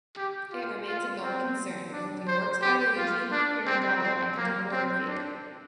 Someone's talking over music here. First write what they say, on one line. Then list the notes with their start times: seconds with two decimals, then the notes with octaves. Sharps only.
It remains a going concern, presenting works by Luigi Pirandello and contemporary theater.
0.17 G4
0.52 F4
0.87 F4
1.22 C4
1.92 D4
2.27 C5
2.62 G4
2.97 F4
3.32 D4
3.67 C4
4.02 C4
4.37 A#3
4.72 C4
5.06 D4